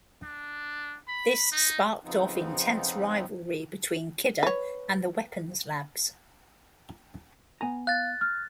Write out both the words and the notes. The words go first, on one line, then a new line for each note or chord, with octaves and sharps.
This sparked off intense rivalry between Kidder and the weapons labs.
D4
B5
D#4
F2 C#3 F3 B3 C4 D#4
B4 C#5
B3 G#5 A#5
F5 F#6 A6
F6